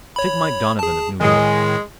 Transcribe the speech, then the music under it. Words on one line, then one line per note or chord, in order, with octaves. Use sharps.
Take Mike Donovan, of New York.
C#5 B5
G#4 A5
A2 D#3 G#3